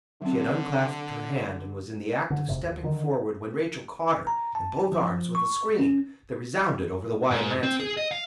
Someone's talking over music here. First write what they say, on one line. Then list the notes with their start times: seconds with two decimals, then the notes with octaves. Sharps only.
She had unclasped her hand, and was in the act of stepping forward, when Rachael caught her in both arms with a scream that resounded over the wide landscape.
0.22 D3 F#3 C4
2.30 D3
2.48 E1 G#2 C3
2.64 D#2
2.83 D3 D#3
4.27 A#5
4.55 A5
4.92 F3
5.35 C#6
5.78 C#4
7.31 G#2
7.63 C4
7.80 G#4
7.97 D#5
8.11 F5